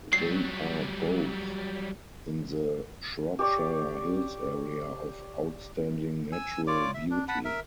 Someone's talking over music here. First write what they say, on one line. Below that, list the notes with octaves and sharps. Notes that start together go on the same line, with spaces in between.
They are both in the Shropshire Hills Area of Outstanding Natural Beauty.
F#3 G3 C7
G4 C#5 D5
G#5 E6
F4 C#5 D5 D6
E5
D4
F#5 A5 B5
A#4 E5